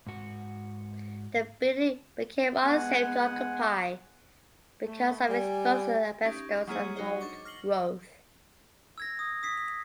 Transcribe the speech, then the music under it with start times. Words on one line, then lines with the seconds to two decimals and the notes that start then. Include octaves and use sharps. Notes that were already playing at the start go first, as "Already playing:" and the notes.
The building became unsafe to occupy because of exposed asbestos and mold growth.
0.07 G#2 F#4
2.61 G#3 B3 F#5 G#5
4.85 A3
5.29 G3 G#5
6.25 C#4 D#4 G4
6.67 F#3 G#3 A#3 E4 G#4 C#5
6.96 F#3 D#4 F#4 G#4 C5 D#5
7.20 D4 C#6 D6 C#7
7.45 F6 A#6 C7 F#7 G7
8.98 E6 G#6 A#6
9.19 D#6
9.43 D#6 B6 C7